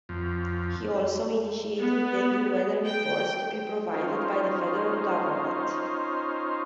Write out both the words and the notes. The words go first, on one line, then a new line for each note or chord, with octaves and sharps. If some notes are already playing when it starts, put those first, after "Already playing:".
He also initiated daily weather reports to be provided by the federal government.
F2
B3
G5
C#4 D#4 F4 C5